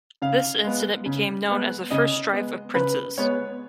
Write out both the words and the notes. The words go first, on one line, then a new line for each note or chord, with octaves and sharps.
This incident became known as the First Strife of Princes.
C#3 F5
G#3 B3
C#3
G#3 B3
C#3 D#5
G#3 B3
C#3 B4
G#3 B3 C#5